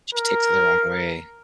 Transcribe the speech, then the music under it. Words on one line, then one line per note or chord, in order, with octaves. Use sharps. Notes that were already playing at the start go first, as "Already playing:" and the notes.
She takes it the wrong way.
A#4